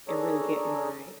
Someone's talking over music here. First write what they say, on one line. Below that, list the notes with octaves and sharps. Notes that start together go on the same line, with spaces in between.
and really get my
D4 G#4 A4 C#5 A#5